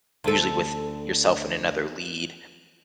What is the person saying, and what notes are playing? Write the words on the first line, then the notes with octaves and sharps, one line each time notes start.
usually with yourself and another lead.
D2 A4